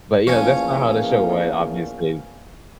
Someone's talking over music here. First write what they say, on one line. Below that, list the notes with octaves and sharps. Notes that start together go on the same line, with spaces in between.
But, you know, that's not how to show went, obviously.
E2 F3 A#3 C#4 G#5 C#6